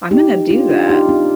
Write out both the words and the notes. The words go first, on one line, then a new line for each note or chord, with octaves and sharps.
I'm gonna do that.
D#4 G4
D4 F4
D4 F4
D#4 G4
C4 D#4